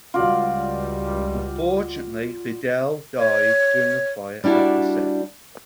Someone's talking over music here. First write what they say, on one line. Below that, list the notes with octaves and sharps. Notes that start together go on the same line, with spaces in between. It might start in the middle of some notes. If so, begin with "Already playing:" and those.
Unfortunately Fidel died during a fire at the set.
C#2 G3 F4 F#4 D5
C#5
G3 D4 E4 F#4 G4